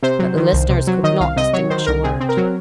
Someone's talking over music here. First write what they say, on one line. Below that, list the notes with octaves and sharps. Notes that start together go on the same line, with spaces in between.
But the listeners could not distinguish a word.
C3 C5
F#3
D#3
C2
C3
F#3
D#3 D#5
C2 F5
C3 D#5
F#3 C#5
D#3 C5
C2 A#4
C3 G#4
C4
A#4
F#3